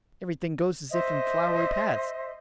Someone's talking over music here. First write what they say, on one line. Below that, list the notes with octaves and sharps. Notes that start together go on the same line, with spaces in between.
"Everything goes as if in flowery paths."
C5 D#5 E5